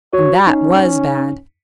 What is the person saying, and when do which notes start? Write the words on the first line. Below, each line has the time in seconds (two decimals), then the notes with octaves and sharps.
And that was bad.
0.13 F#4 C#5
0.47 C#4 D#4